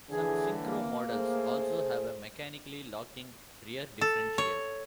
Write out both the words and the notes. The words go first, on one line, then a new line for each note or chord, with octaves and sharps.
Some syncro models also have a mechanically locking rear differential.
A2 D3 E3 G#4
A#3
A3 G#4 C5
A4
C#5